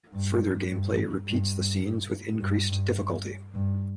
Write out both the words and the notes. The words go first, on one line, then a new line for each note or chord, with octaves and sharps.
Further gameplay repeats the scenes with increased difficulty.
G2
G2
G2
G2
G2
G2